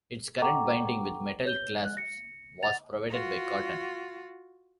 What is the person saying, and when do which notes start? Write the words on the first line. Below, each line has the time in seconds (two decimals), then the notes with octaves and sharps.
Its current binding, with metal clasps, was provided by Cotton.
0.42 A4 F#5 G5 A#5 C#6 D6
1.45 C#5 G6 G7
1.85 F#6
1.97 A#6 C#7
2.63 F#5 A6 F7
3.09 F4 F#4